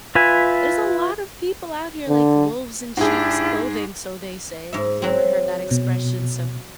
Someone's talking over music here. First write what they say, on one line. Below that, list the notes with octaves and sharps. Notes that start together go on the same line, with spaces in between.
There's a lot of people out here like wolves in sheep's clothing, so they say, if you ever heard that expression, so
F4 B4 E5 G#5
D3
G#2 D4 E4 G4 G#4
G#2 E5
F#3 C4
B2